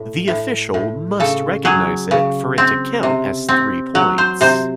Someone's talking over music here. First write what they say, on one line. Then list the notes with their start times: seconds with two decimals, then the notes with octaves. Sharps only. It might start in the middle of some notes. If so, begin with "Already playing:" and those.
The official must recognize it for it to count as three points.
Already playing: A2
0.28 A2
0.74 A2
1.20 C#3 A4
1.65 F#3 G#4
2.11 C#3
2.58 C4
3.03 C3
3.49 C4
3.95 F#3
4.18 C5
4.41 C3 C5